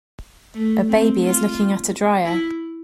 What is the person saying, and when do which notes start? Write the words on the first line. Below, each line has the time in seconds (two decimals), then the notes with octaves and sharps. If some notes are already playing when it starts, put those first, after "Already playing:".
A baby is looking at a dryer.
0.54 A3
0.89 C4
1.23 F4
2.25 E4